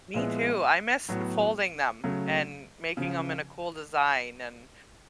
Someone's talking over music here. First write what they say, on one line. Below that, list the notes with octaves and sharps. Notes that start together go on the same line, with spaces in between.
me too. I miss folding them and making 'em in a cool design and
A#2 F3 G#3 B3 E4
A2 F#3 B3
C#3 F#3 A3
C#3 F3